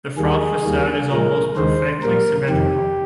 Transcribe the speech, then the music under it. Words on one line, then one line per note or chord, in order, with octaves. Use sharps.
The front facade is almost perfectly symmetrical.
D#2 D#3 G3 A#3 G#4
D#2 D#3 G3 A#3
A#2 F3 G#3 A#4
D#2 D#3 G#3 C5
A#2 G3 A#3 A#4
F2 C3 D#3 G4